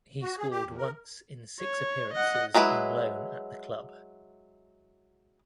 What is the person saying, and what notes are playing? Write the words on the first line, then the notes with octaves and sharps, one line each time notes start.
He scored once in six appearances on loan at the club.
F#4
G#4
G4
E2
A#4
C#5
D#5 F#5
F#3 G#3 E4 B4